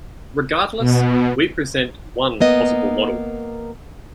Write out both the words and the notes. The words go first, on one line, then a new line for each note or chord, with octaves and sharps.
Regardless, we present one possible model.
B2
A#3 B3 D#5